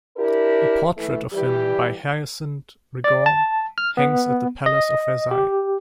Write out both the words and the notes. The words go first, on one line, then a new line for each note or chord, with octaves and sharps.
A portrait of him by Hyacinthe Rigaud hangs at the Palace of Versailles.
D4 E4 G4 A#4
E3 A3
E3 G3 G4
D5
A5
F6
B3
D#5
G4